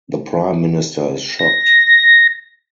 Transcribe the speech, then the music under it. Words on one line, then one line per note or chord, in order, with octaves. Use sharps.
The Prime Minister is shocked.
A#6